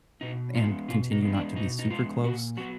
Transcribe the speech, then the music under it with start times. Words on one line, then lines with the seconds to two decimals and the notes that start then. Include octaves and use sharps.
and continue not to be super close.
0.21 B2 D#4
0.55 G#3 B3 F4
0.88 B2 F4
1.12 D#4
1.22 G#3 B3
1.34 D4
1.56 B2 D#4
1.79 D#4
1.90 G#3 B3 F4
2.23 A#2 F#4
2.57 F#3 B3 F#4